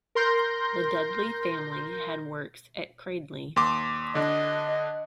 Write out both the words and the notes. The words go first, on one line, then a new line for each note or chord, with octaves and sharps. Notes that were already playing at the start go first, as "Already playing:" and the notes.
The Dudley family had works at Cradley.
A#4 C6 G6 A#6
D#2 C6 D6
D3 D4 D#5